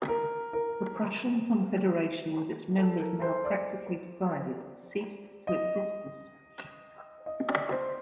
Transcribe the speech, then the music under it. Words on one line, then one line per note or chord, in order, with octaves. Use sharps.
The Prussian Confederation, with its members now practically divided, ceased to exist as such.
A#4
A#4
A4
A#4
C5
D5
D#5
D#5
D5
C5